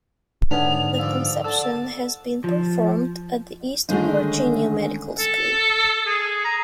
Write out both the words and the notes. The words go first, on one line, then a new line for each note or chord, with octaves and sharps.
The conception had been performed at the Eastern Virginia Medical School.
G#2 D3 B3 C#4 D4 F7
F3 G3 E6
D3 A5 E6
F3
D3 D#3 G#3 A3 C#4 D#4
A4
G#4
A#5